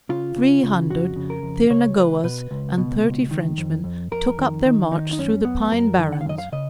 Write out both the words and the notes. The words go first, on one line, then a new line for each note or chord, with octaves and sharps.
Three hundred Thirnagoas and thirty Frenchmen took up their march through the pine barrens.
C#3 F4
C#3
C#3
F2 F#4
C#3
A#4
F2
C#2 C#5
C#2 B4
B2 B4
C#2
B2
C#2
D#3
F2
F2
F2 A#4
D#3
D#3
D#3 D#4
D#4
F#2 C#4
F#2 B3
F#2 A#4
D#3
F#5
F5
F#2 D#5
F5
C#3 D#5